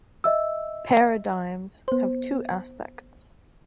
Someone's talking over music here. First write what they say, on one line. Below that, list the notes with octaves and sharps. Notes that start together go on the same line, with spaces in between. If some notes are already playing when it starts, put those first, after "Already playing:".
Paradigms have two aspects.
D#5 E5 E6
B3 C5